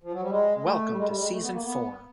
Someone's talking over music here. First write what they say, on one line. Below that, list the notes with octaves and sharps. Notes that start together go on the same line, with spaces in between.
Welcome to season four!
F3
F#3
G3
G#3
A3
G3
G#3
G3
G#3
A3
B3
A#3
B3